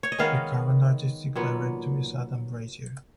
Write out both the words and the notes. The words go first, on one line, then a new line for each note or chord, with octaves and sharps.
The current artistic director is Adam Brazier.
C#5
D#5
D#3 G#3 B3 F5
A#2 F#3 B3